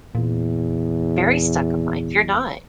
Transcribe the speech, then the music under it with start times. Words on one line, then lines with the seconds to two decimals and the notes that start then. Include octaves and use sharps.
very stuck in life. You're not.
0.15 E2 A#2